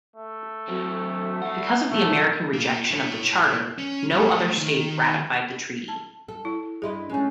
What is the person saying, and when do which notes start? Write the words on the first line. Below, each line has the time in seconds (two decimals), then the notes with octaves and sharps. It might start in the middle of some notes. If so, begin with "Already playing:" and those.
Because of the American rejection of the Charter, no other state ratified the treaty.
0.16 A3
0.68 F#3 C4
1.42 E5 F#5
1.91 B1 E2 A3
2.54 A#3 F4
2.91 E4 C#5
3.79 C#4
4.13 F#3 A3
4.57 D#3
5.88 A5
6.28 A4
6.45 E4
6.82 G2 E4 G#4 D#5 C6
7.10 G#3 A3 C#4